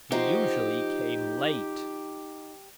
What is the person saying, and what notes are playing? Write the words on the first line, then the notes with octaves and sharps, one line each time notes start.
He usually came late.
F3 D#4 F#4 G4 C5